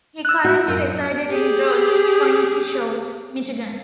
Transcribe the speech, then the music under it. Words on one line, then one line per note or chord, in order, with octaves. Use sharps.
He currently resides in Grosse Pointe Shores, Michigan.
E6 F#6
F#4 G6
F#2
G4 G#4